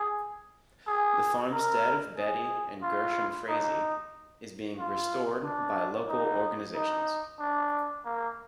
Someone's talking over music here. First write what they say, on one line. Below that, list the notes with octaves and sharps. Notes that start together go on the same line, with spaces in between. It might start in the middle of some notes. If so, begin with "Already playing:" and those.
The farmstead of Betty and Gershom Frazee is being restored by local organizations.
Already playing: G#4
G#4
A#4
G#4
F4
D#4
F4
D4
D#4
D#4
D4
A#3